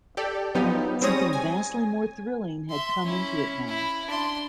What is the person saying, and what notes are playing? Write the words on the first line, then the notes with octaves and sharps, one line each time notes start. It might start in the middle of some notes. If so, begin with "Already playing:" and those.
Something vastly more thrilling had come into it now.
G4 A4 D5
F3 F#3 B3 D#4 G4
G3 C4 G#4 C#5 D#6 A#6
G#5
E5 C6
C#4 E4
E4
D4 C6